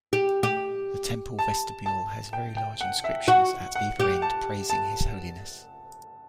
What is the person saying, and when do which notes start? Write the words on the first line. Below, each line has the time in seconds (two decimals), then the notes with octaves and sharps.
The temple vestibule has very large inscriptions at either end praising his holiness.
0.13 G4
0.43 G4
1.39 A5
1.86 A5
2.33 G5
2.57 G5
2.81 F#5
3.04 E5
3.28 F#4 F#5
3.75 F#5
4.00 G4
4.22 A5
4.70 A5